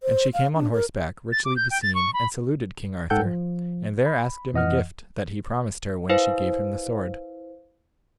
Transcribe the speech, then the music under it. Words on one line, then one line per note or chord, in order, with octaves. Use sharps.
And she came on horseback, richly beseen, and saluted King Arthur, and there asked him a gift that he promised her when she gave him the sword.
C5
F5
D4
A#4
A6
D6
G6
G5
A6
C#6
B5
G#2 A4 F#5 G5 G6
F3
B5
F2 E3 D#5 F#5 F6
E4 B4 C5 F5